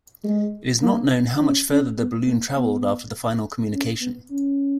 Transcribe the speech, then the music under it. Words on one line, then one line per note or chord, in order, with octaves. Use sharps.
It is not known how much further the balloon traveled after the final communication.
G#3
A#3
C#4
C#4
B3
A#3
B3
C#4
B3
C#4